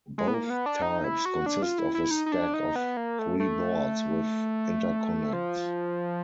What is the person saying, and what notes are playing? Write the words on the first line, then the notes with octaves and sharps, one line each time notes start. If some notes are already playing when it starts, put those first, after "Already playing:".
Both types consist of a stack of three boards, with interconnects.
G#3
B3
A#3
B3
D4
D#4
E4
F#4
D4
F4
E4
E4
D#4
D#4
D4
D#4
B3
A#3
A3
A3
F3